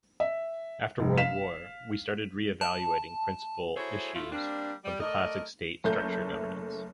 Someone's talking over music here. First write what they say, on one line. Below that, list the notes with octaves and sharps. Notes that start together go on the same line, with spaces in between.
After World War, we started re-evaluating principal issues of the classic state structure governance.
E5
F1
F5 B6 E7
A5
E4 F#4 G#4 A4 C5 C#5
A2 A3 F4
G3 A#3 C4 D4
G3
A3 A#4 D5 D#5
F#1 A3 G6